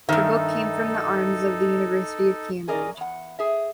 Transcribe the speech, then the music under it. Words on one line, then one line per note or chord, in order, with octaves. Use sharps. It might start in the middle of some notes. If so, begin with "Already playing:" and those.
The book came from the arms of the University of Cambridge.
G2 D#3 D#4 A4 E5
C#4 G#4 A#4 D5 D#5
E2 F#5
G#4 E5